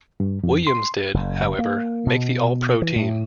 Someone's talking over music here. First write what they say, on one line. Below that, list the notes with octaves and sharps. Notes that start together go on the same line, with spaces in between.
Williams did, however, make the All-Pro team.
G2
F2
C6
F#1
A#3
B2
E3
A2